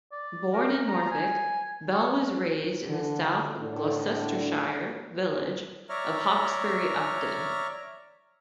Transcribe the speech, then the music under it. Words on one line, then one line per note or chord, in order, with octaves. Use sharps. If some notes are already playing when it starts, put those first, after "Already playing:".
Born in Norfolk, Bell was raised in the South Gloucestershire village of Hawkesbury Upton.
D5
A#4
A#5
G#5
C#6
D3
A2 D3
C#5 D5 E5 A#5 F6